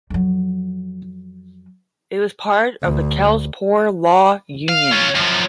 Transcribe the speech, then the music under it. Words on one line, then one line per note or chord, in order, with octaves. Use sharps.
It was part of the Kells Poor Law Union.
F2 F#3
D2
F5
C#4 F4
F#2 F3